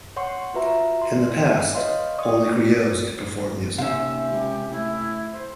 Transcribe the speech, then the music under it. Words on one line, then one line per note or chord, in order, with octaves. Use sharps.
In the past, only "griots" could perform music.
C#5 F#5 C6 C#6
F4 F#4 B4 E5 A#5
C6
E4
B4 C#5 D#5 F5 C6
D5 C#6 D#6
F#2
D#2 C3 C#4 E5 F5
C#2 G4
A2 E4
C5